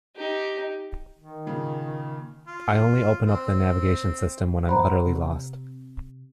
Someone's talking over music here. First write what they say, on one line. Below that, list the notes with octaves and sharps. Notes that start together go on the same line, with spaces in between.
I only open up the navigation system when I'm utterly lost.
D#4 G4
D#3
A#2 C#3
F4
C4
C5 F#5 A#5 B5
C3